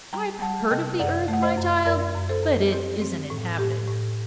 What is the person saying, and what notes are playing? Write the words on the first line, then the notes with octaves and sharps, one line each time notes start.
I've heard of the Earth, my child, but it isn't inhabited.
G3 G5 A#5
G3 F#5 A5
C3 D#5 G5
F#2 D5 F#5
A3 F#5
C5 D#5
F#2
F#2 A#4 D5
F#2
A4 C5
F#2
C4 G4
C4
A2
A2 G4
A2